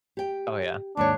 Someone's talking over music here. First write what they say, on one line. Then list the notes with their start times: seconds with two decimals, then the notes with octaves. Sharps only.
Oh, yeah.
0.17 G4 G5
0.97 D#2 G#2 D4 C#5